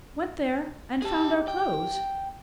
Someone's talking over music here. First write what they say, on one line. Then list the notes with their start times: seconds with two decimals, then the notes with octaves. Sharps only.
Went there and found our clothes.
1.02 G4 G#4 A5
1.48 G5